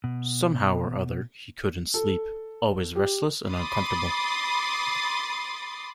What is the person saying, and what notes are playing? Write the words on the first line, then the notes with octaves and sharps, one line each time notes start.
Somehow or other he couldn’t sleep — always restless and uncomfortable.
B2
A4
G4
B5 C6 D6 D#6 A6 C7